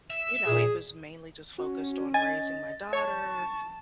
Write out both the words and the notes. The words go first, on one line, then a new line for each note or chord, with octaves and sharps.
you know, it was mainly just focused on raising my daughter,
E5
A#2 G#4
C#4 F#4
D#5 G#5 A6
C#5 A5 C#6